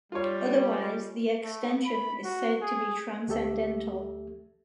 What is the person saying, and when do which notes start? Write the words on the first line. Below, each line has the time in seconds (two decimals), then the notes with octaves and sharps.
Otherwise, the extension is said to be transcendental.
0.12 G3 F4 C#5
1.43 A3
1.86 B5
2.24 F#4
2.61 G#4
3.28 D2 A3 G4 A4 E5